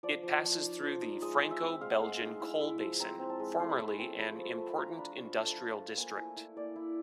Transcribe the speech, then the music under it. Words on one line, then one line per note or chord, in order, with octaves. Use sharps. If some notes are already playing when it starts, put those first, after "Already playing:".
It passes through the Franco-Belgian coal basin, formerly an important industrial district.
F3 D5
F3
F3
D#4
F3
D#4
G#3 D#5
G#3
E5
C4
G#3 F5
F#5
G#3 F5
D#4
E4
E4
F3
C4 A#5
C4
A5
G#3
A3 C6
B5
A3 C6
C4
F3 B5
F3
A3
F4 A#5
D4 B5
F4 C#6
A3 A5
F4
A3
A#3 G#5
E4
E4
A#3 D5
E4